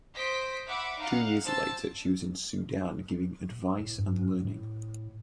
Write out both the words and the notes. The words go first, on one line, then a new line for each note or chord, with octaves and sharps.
Two years later she was in Sudan giving advise and learning.
C5 D#5 B6 D7
E5 F#5 B5 D6
D#4 F5 F#5
C5 A5 E6 A6
A2
G2
A2